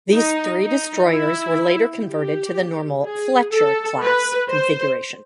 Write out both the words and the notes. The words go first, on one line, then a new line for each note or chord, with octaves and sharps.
These three destroyers were later converted to the normal "Fletcher"-class configuration.
D#4
D#4
E4
G4
G#4
A4
B4
C5